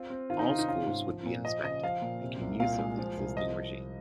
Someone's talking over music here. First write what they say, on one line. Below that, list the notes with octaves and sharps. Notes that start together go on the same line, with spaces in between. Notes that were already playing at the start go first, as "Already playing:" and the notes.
All schools would be inspected, making use of the existing regime.
Already playing: C4 F4
C4
D#3 F4
D#4
C3 F4
D#4
C#4 F4
G#2
F3
A#2
F3 D#5
C#3 D#5
F3 F5
A#2
C3
C2
A#2 F5
G#3
F3
C2
F3 D#5